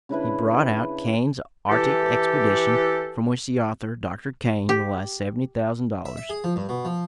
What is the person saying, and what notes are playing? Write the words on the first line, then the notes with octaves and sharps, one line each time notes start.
He brought out Kane's "Arctic Expedition," from which the author, Dr. Kane, realized seventy thousand dollars.
C#3 D4 E4 B4
E3 G4 A4
G4
E5
E5
G#4
F3
G2
B2
F3